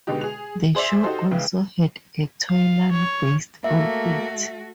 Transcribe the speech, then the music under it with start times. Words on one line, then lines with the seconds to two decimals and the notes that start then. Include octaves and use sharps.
The show also had a toyline based on it.
0.07 B2 D3 G#3 D#4 G4
0.21 G#4 F7
0.75 G#4 C5 D5 E5
1.03 D#4 F#4 G4 A4 C5
1.31 B1 C#3 E3 G#3 G5
2.50 F5
2.92 C#5
3.64 A3 A#3 F#4 E5